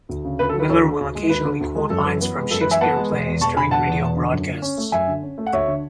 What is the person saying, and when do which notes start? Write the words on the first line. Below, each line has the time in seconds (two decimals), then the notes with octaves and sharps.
Miller will occasionally quote lines from Shakespeare plays during radio broadcasts.
0.09 D2
0.24 C#3
0.39 D2 B4
0.49 A4
0.54 F#3
0.60 B4
0.69 D2 A4 C#5
0.85 D3
1.00 D2
1.15 G#3
1.30 D2 B4
1.45 D3
1.60 D2
1.75 G#3
1.90 F#2 A4
2.06 E3
2.21 B3
2.36 G#3
2.51 F#2 A4
2.61 B4
2.66 E3
2.71 E5 G#5
2.81 B3 F#5 A5
2.96 G#3
3.11 E1
3.26 E2
3.41 E1 A5 C#6
3.56 D3 G#5 B5
3.71 E1 F#5 A5
3.87 E2
4.02 E1
4.17 D3
4.32 F#2
4.47 D3
4.62 C#4
4.77 A3
4.92 F#2 E5 G#5
5.07 D3
5.23 C#4
5.38 A3
5.46 F#5
5.53 D2 C#5 E5
5.68 D3